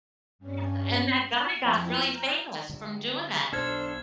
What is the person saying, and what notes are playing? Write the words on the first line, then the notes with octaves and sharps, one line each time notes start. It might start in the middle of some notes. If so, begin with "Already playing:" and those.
Yes, and that guy got really famous from doing that,
G2 C#4
F#5
F2 F3 E4 G5 C6 G#6
A#5 F6 G6
D3 G3
B1 B2 D4 A4 C5 F6 G#6